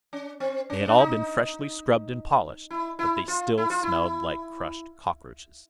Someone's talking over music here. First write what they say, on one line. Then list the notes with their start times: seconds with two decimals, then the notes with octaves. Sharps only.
They had all been freshly scrubbed and polished, but they still smelled like crushed cockroaches.
0.13 C#4
0.40 C4
0.70 C#4
0.88 D4
0.98 D#4
2.71 E4
2.99 E4
3.28 F4
3.58 E4
3.70 F4
3.83 E4